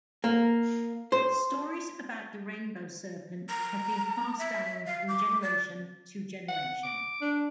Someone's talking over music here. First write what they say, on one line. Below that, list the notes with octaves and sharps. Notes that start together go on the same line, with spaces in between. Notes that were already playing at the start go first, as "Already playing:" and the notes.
Stories about the Rainbow Serpent have been passed down from generation to generation.
A#3
C5
A#5
E5
F5
D6
D5
F#5
D6
D4